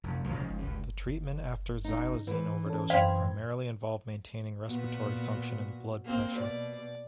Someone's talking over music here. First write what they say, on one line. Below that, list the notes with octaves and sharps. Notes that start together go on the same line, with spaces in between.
The treatment after xylazine overdose should primarily involve maintaining respiratory function and blood pressure.
F1 F#2
C2 G#2 B2 F3
C#3 F3 G#3
C#2 G2
C#3 D#4
G#2 E3 B4
C#4 A4
F#2 C4 F5 B5 G#6
A#2 B3 F#4
A#3 C4
B2 D5